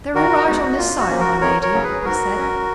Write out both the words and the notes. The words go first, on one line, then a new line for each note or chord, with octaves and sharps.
"They're all right on this side, my lady," he said.
D#3 F#4 A#4
G#3 B3 D#4 F#4
A#2 F4
F#4
F3 A#3 C#4
F#4 A#4
F2 A#4 C#5
A#4 C#5
C#3 F#3 C#4
G#4 B4
G#2 F#4 A#4
F#3 C#4